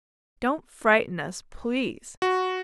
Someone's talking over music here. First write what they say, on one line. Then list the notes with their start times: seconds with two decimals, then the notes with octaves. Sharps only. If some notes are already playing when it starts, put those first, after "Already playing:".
Don't frighten us, please.
2.22 F#4